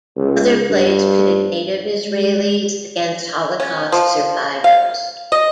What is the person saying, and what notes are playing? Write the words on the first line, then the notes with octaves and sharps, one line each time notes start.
Other plays pitted native Israelis against Holocaust survivors.
C#2
G2
G#3
C#4
F3
F5
D#5